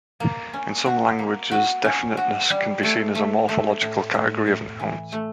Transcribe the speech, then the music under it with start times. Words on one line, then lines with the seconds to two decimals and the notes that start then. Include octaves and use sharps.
In some languages definiteness can be seen a morphological category of nouns.
0.20 A#3
0.53 C#4
0.86 F#4
1.19 A#3
1.51 F#4
1.85 C#4
2.17 F#4
2.50 G3
2.83 A3
3.15 A3
3.49 A3
3.81 A2
4.14 A2
4.47 A2
4.80 E3
5.12 A3